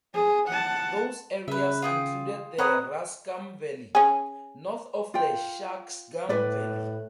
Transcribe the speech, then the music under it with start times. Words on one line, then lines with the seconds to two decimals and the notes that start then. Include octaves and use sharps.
Those areas included the Raskam Valley, north of the Shaksgam Valley.
0.14 G#4
0.48 F#5 A5
1.48 C#3 B4 E5
1.82 F4 G#4 G5
2.58 C4 B4 C#5 F#5 A#5 D#6
3.95 C#4 G#4
5.14 F4 G5
6.29 A2 B4 D5